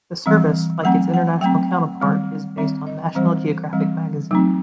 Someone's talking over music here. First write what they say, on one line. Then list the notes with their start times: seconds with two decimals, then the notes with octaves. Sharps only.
The service, like its international counterparts, is based on "National Geographic Magazine".
0.26 E3 G3 C4
0.84 F#3 A3 C4 F#5
1.14 F#5
1.41 F#3 A3 C4 G5
1.71 F#5
2.00 D#3 G3 C4
2.57 D#3 G3 C4 E5
2.87 D#5
3.15 E3 G3 C4 C5
3.73 E3 G3 C4
4.31 F#3 A3 C4 D#4